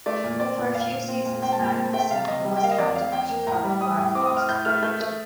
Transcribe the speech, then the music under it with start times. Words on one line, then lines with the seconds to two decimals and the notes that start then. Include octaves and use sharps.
For a few seasons, Magnuson was captain of the Chicago Blackhawks team.
0.06 A3 D5
0.24 A#2
0.40 C4 D5
0.57 A#2
0.74 A#2 F5
0.92 A#2
1.08 C4
1.25 A#2
1.42 C4 G5
1.52 A5
1.59 A#2 G5
1.76 C4 A5
1.93 A3 G5
2.11 C3 F5
2.28 C3 D#5
2.45 G3
2.57 G5
2.62 A#3 F5
2.71 D#5
2.78 F2 D5
2.95 F2 F5
3.12 F2 G5
3.30 A#3
3.47 A2 A#5
3.64 G3
3.81 G3 D#6
3.97 A2
4.15 C4 D6
4.26 D#6
4.31 A2
4.37 F6
4.49 A2 G6
4.65 A3 F6
4.82 A3 G6
5.00 A3